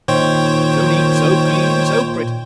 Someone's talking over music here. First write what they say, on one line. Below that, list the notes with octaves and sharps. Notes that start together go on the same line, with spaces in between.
So neat, so clean, so pretty!
A#2 D#3 C5 C#5 G5